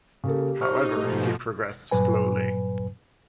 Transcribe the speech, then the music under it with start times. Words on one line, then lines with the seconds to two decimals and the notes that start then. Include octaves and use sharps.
However, he progressed slowly.
0.24 C#3 A#3 G4 A4
0.61 D#4 C5 C#6 F6
0.94 G#2 B2 F3 A3
1.91 G2 A#2 F#3 B4 G#5